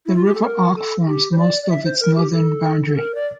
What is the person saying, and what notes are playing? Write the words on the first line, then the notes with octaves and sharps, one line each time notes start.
The River Ock forms most of its northern boundary.
E4
F4
G4
A4
A#4
A4
G4
C5
D5
D5
E5
C5
A#4
G4
A4
A4
A#4
D5